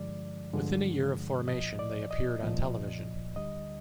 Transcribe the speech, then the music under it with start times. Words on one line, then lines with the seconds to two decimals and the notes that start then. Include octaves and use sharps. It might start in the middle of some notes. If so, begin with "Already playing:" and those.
Within a year of formation, they appeared on television.
Already playing: G2 D3 F3 G#3 D5
0.53 G2 D3 F3 G#3
1.47 C2 A#2 F3 D#5
1.79 D5
2.11 D#5
2.43 C2 A#2 F3
3.36 D2 D3 G3 D#5